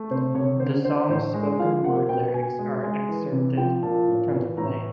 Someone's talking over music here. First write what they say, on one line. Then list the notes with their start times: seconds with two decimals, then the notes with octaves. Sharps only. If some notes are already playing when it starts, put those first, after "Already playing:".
The song's spoken-word lyrics are excerpted from the play.
Already playing: A3
0.11 C3 C5
0.35 C3 C#5
0.60 D3 C5
0.85 D3 C5
1.09 A2 C5
1.34 G#3
1.59 F3 F5
1.84 A#3 F#5
2.09 B2 G5
2.34 B2 G#5
2.59 G#3
2.83 G#3
3.09 E3
3.32 C3
3.57 F3 G5
3.83 A#2 A5
4.08 A2
4.32 E3
4.57 A2 A#5